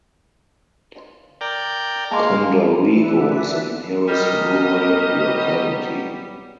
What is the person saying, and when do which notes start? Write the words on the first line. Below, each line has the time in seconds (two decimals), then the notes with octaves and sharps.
Kondarevo is the nearest rural locality.
1.41 A#4 D5 G5
2.11 G#3 A#3 F5 A5 C6 D6
2.92 E3 D4 B4 E5
4.08 B2 F#3 G3 B3 A#4 D#5